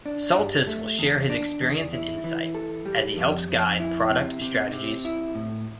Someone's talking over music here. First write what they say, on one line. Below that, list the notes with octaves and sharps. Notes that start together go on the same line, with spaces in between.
Soltis will share his experience and insight as he helps guide product strategies.
D4
G2
A3
E2
D4
E2
E4
E3
A4
G3
F2
F2
E4
C3
C3
C3
E4
A2